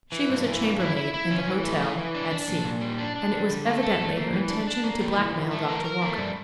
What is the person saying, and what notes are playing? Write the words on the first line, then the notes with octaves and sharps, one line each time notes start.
She was a chambermaid in the hotel at C--, and it was evidently her intention to blackmail Doctor Walker.
E3
G2
E3
G2
E4
E4
E4
C#4
E3
A3
E3
E3
D4
D4
A#2
A#2
G3
D4
D4
G3
D3
A3
A4
A3
A#3
E3
D4
D4
A#3
G3
E3
E3
A3
A#4
A#4
A3
G3